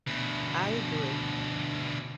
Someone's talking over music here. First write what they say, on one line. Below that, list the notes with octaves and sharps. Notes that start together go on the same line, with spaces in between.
I agree.
D2 B2